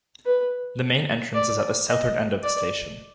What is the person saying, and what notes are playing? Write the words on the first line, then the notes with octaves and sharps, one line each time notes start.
The main entrance is at the southern end of the station.
B4
D5
D#5
D5